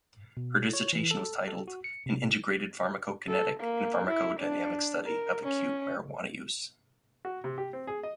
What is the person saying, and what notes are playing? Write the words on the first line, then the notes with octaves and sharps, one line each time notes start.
Her dissertation was titled "An integrated pharmacokinetic and pharmacodynamic study of acute marijuana use".
B2
C#5
E3
A4
A4
F#4
C#7
C3
A4
A#3
E4
D4
A#4
C#4
F#4
C3
G4
C4
G#4
D#5